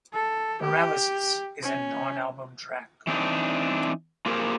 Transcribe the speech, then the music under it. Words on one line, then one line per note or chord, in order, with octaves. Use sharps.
"Paralysis" is a non-album track.
A4
G4
C#4
E3 C4 D4 D#4
A#3 F4 G4 G#4 A#4 C5